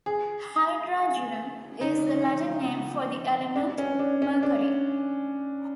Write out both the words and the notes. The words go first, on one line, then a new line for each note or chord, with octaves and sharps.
"Hydrargyrum" is the Latin name for the element mercury.
G#4
D#4
D4
C#4
D4
C#4
D4